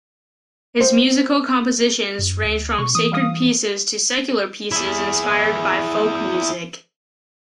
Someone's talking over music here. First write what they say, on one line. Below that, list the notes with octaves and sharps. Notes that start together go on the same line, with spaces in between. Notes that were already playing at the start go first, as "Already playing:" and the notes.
His musical compositions ranged from sacred pieces to secular pieces inspired by folk music.
C5
F#2
D2
B2 C#6
E3 D#6
G3 F5 D#6
E4 G#4